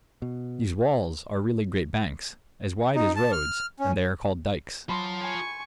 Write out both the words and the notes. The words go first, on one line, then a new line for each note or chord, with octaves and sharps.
These walls are really great banks, as wide as roads, and they are called "dikes."
B2
D#4
A5
F6
C#4
F#3 F4 A5 B5 C6
G#5 C#6